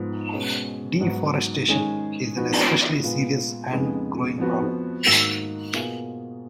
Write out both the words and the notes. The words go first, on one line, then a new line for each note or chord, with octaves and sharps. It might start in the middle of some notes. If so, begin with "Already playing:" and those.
Deforestation is an especially serious and growing problem.
Already playing: G#2 F3 B3
B2 G#3 C#4
G#2 F#3 B3 F#4
D#3 G#3 C#4 G#4
F3 B3 D#4 F#4
A#2 G#3 B3 F4
F2 C#3 G#3 B3 D#4
F2 F3 B3 F#4
G#2 D#3 A#3 D#4 F#4
B2 A#3 F4 G#4